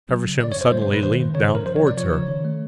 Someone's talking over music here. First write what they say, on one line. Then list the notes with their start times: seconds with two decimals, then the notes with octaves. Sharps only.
Feversham suddenly leaned down towards her.
0.09 F#3
0.25 C#3
0.40 D3 D5
0.52 C#5
0.56 F#2 C5
0.72 G3 C5
0.82 C5
0.87 B2
0.94 B4
1.03 D#3 C5
1.19 G2
1.34 C#3 C#5
1.45 C5
1.51 F#2 A#4
1.66 F3 C5
1.76 C#5
1.82 C3
1.87 D5
1.97 F3 C#5
2.13 C#3
2.28 D#3
2.45 A3